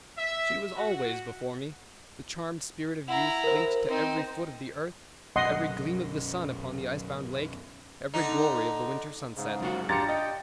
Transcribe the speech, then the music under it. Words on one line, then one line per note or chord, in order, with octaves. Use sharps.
She was always before me,—the charmed spirit of youth, linked to every foot of the earth, every gleam of the sun upon the ice-bound lake, every glory of the winter sunset.
E5
F#4
E4 F#5 A#5
A#4 C5
C4 D#4
B1 F#2 D#5 F#5 C6
D3 D#4
G#2 C#3
F#2 F4 F#4
D4 F4 G4 A#5 A6 C#7
D#5 G5